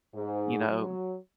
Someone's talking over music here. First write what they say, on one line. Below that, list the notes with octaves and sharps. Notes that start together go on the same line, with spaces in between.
you know,
G#2
F#3